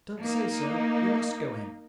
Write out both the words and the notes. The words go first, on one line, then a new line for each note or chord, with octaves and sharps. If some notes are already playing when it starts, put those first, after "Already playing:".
'Don't say so; we must go in.
A#3 D#4